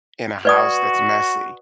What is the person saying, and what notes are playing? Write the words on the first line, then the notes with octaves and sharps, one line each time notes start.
in a house that's messy,
F#4 B4 D5 D#6